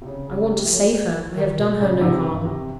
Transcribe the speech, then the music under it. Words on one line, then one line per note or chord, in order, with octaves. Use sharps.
I want to save her; I have done her no harm.
C3
C#3
C#3
G3
F3
F#3
D#3
B2
A#2 C#3
G#2 C3
G2
C3